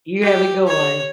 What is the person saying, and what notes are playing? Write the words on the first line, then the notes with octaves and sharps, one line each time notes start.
you have a good one.
G4
C#5